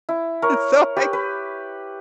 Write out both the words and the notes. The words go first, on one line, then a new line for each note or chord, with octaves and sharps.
so I
E4
A#4 C#5
G4 B4
B4